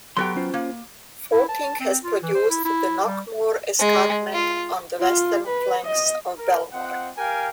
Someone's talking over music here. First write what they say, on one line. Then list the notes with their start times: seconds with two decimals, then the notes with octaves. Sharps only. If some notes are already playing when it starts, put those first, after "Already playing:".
Faulting has produced the Knockmore escarpment on the western flanks of Belmore.
0.17 F#3 B3 G4 A4 G5 C6
0.36 C#4 F4 C5
0.54 A#3
1.32 E4
1.49 A5
1.80 C4
2.03 F4
2.23 E3
2.35 C5
2.50 E4
2.65 E4
3.05 G3
3.79 G#3
4.33 F4
5.00 F4
5.47 B4
5.85 D#5
6.37 A#4
6.72 C4 F4 D#5 F#5
7.17 G4 A#4 F5 G5 G#5